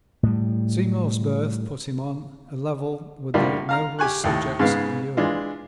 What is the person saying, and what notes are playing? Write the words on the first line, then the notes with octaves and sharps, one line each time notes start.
Seymour's birth put him on a level with the noblest subjects in Europe.
A2 G3
A2 D3 G3 A#3 F4
F5 A#5 F6
G4 G#5 C#6 F#6
D#2 A2
G#2 C#3 G#3 B3 F5
E3 G#3 D4 F4